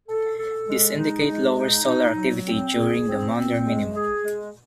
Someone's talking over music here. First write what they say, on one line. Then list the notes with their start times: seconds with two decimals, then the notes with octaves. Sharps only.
These indicate lower solar activity during the Maunder Minimum.
0.08 A4
0.38 A4
0.68 G#3
0.97 D#4
1.27 G#3
1.57 D#4
1.86 D#4
2.16 F#3
2.45 C4
2.76 G#4
3.06 C4
3.35 C4
3.65 G#3
3.94 G#4
4.24 G#3